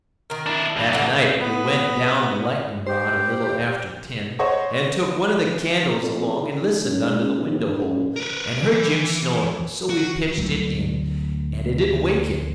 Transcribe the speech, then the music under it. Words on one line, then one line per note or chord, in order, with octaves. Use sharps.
That night we went down the lightning-rod a little after ten, and took one of the candles along, and listened under the window-hole, and heard Jim snoring; so we pitched it in, and it didn't wake him.
D#3 A#4
D4 E4
G2 E3
D3 F#3
B3
G4 C5
C5 C#5 D#5 F#5 C#6
F2
E2
D#3
F#2
G#2
C#2
B1
D#2
G2
F#2
A#4 B4
E3
F#4
D2 F#3 G3 A3